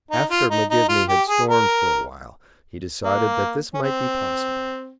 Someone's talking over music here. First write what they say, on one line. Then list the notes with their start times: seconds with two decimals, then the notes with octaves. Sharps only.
After McGivney had stormed for a while, he decided that this might be possible.
0.11 D#4
0.31 F4
0.51 D#4
0.70 D#4
0.89 F4
1.09 G4
1.29 G#4
1.48 A#4
3.04 A#3
3.74 C#4
3.82 C4